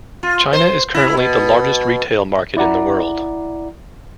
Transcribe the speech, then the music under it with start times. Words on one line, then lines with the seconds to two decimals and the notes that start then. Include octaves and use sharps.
China is currently the largest retail market in the world.
0.23 F4
0.53 C5
0.94 E4
1.17 B2
2.57 E4 D5 F#5 A#5